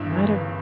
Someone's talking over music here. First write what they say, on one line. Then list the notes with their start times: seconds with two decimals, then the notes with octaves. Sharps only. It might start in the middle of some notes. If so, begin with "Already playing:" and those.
it might've
Already playing: G1 G2 E4 E5
0.11 E3
0.31 G1